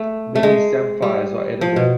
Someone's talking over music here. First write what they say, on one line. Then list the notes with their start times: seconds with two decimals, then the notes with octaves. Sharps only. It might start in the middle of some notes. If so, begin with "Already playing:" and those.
Many samphires are edible.
Already playing: A3
0.35 A3
0.43 G#3
1.02 G3
1.61 F3
1.76 B2